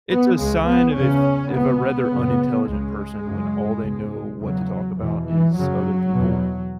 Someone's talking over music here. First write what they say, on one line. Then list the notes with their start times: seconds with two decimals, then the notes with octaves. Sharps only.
it's a sign of if if a rather unintelligent person when all they know what to talk about is other people,
0.09 B3
0.37 C#2 C#3 G#3
0.67 B3
0.95 E2 C#3 C#4
1.52 C#2 B2 B3
2.10 F#2 C#3
2.67 C#2 C#3 G#3
3.25 F#2 C#3
3.82 C#2 B2
4.39 E2 C#3 F#3
4.97 E2 B2 E3
5.26 E3
5.54 F#2 C#3 F#3
6.12 E2 B2